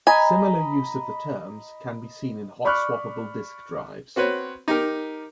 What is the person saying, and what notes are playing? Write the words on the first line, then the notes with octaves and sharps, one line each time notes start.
Similar use of the terms can be seen in hot-swappable disk drives.
D#5 G#5 A#5 B5
D5 B5 C#6 D6 F6 F#6
C4 F#4 B4 C#5
D#4 G4 A#4